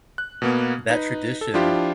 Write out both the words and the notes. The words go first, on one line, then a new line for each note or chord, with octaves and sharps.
that tradition
F#6
B2 A#3 B3
D#4 B4
A4
F3 D4 E4 F4 G4